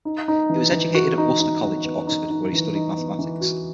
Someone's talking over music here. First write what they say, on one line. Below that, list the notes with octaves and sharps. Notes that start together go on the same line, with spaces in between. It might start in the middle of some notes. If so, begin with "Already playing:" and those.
He was educated at Worcester College, Oxford, where he studied mathematics.
D#4
D#4
E3
E3
F#4
D#4
D#4
D#4
B3
D#4
D#4
E3
D#4
B3
E3
F#4